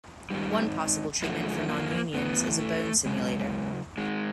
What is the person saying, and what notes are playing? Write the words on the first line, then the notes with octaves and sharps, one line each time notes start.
One possible treatment for nonunions is a bone simulator.
G#2 D#3 G3
F#2 D3 F3 A3
G#3
A3
A#3
A2 E3 B3
A3
F#2 C#3 G#3
G#2 D#3 G#3